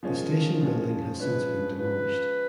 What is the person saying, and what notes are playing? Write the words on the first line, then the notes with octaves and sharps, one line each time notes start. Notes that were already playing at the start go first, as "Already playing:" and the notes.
The station building has since been demolished.
F3 G#3 C#4 A#4
F3 G#3 C#4
F3 G#3 C#4 B4
F3 G#3 C#4 B4